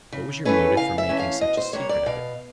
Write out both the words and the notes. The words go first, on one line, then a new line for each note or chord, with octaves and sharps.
What was your motive for making such a secret of it?
C#3
E3 A3 C#4 B4
C#3 F5
E5
E3 A3 C#4
F5
B2 D#5
C5
G3 A#3 D4 C#5
D5
B2 F5